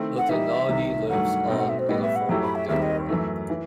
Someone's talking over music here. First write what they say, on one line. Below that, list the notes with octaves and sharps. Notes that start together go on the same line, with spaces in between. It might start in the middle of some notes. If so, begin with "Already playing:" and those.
The technology lives on in the form of Theora.
Already playing: D#3 A3 C4 E4
F#5
E3 G3 D#4 G4 E5
C2 C3 D#3
G2 D#3 F#3 A3 F#5
B2 A3 C4 D#4 G5
F#5
E5
C5
A2 G3 B3 D#5
E5
F#5
F#2 F#3 A3 E4 G4 G5
B5
E5
D#2 D#3 G3 C4 E5
D#5
F#2 E3 A3
E3